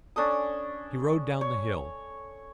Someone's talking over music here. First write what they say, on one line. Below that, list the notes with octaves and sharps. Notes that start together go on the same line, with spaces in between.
He rode down the hill.
C#4 D4 A4 D#6
C#5